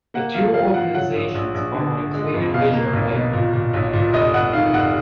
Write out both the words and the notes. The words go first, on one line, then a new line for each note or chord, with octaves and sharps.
The two organizations follow a clear division of labor.
A#3 F#5
F3 F5
F3 F5
F3 F#5
F#3 F#5
A#1
A#1
A#1
D3
D3
G#3
F2
B2 F5
A#3
B1
B2
A#2
A#2
B1
A#2
F1 D#5
F1 F#5
D#3 F5
F1 F#5